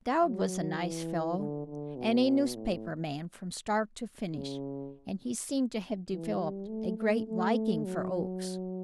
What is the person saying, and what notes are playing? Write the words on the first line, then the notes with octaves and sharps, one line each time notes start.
Dowd was a nice fellow, and a newspaper man from start to finish, and he seemed to have developed a great liking for Oakes.
F#3
E3
D3
D3
B2
A2
C#3
E3
G3
A3
A3
A3
F#3